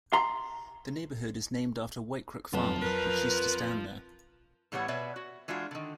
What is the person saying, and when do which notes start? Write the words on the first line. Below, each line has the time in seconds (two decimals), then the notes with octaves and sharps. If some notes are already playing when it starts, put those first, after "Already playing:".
The neighbourhood is named after Whitecrook farm, which used to stand there.
0.13 A#5 C6
2.53 F2 F#3 B3 F4 A5
2.82 A#4 B4
4.72 A2 E3 G3 B3 C#5 F#5
4.88 B2 B4 C#5 D5 E5
5.16 F#4
5.48 E3 G#3 D4 F4 F#4
5.71 D3 D#3